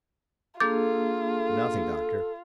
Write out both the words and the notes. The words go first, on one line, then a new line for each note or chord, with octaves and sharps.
"Nothing, Doctor."
A#3 D4 F4 G#4 A4 D6 G6 A6